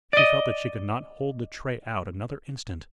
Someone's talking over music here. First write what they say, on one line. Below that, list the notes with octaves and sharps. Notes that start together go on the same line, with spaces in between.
She felt that she could not hold the tray out another instant.
D5 D#5